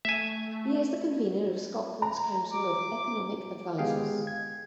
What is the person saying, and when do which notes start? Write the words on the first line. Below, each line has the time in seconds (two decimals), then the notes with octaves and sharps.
He is the convener of Scotland's Council of Economic Advisers.
0.05 A3 E5 G#5
2.02 A#5
2.54 D6
3.78 G#3 B3 G4 G#4 F5 G5
4.27 G#6